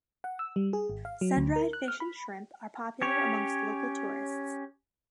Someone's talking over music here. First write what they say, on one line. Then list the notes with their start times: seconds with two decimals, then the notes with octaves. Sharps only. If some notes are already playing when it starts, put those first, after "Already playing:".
Sun-dried fish and shrimp are popular amongst local tourists.
0.24 F#5
0.39 E6
0.56 G3
0.73 G#4
0.90 G#1
1.05 F5
1.21 F#3
1.37 D2
1.56 A#4
1.73 F#6
1.88 F6
2.00 B5
3.02 C#4 G4 C#5